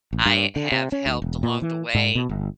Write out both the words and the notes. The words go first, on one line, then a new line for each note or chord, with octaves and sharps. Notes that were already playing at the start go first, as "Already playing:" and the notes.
I have helped along the way,
A1
G2
D3
C3
C#4
D2
E1
A#2
E3
G#2
B2
G1